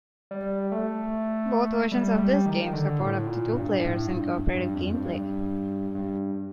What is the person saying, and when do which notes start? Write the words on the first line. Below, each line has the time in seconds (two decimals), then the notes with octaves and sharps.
Both versions of this game support up to two players in cooperative gameplay.
0.31 G3
0.72 A3
1.92 G3
2.14 A3
2.19 G3
2.46 D#3
2.73 D3
3.00 A2
3.27 A#2
3.53 G2
3.81 A2
4.07 G2
4.54 G2
4.75 F2
4.94 G2
5.14 G2
5.95 G2